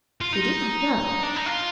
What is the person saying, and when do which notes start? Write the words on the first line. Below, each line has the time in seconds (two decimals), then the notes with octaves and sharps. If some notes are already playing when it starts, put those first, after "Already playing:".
He did not know.
0.21 F4
0.33 D#4
1.23 D4
1.36 D#4
1.46 F4